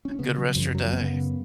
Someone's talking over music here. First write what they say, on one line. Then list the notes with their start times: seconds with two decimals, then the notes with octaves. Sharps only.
good rest of your day.
0.05 C#4
0.19 C#3 B3
0.37 F#3
0.55 F#2 F3
0.75 F#3
0.93 C#3 B3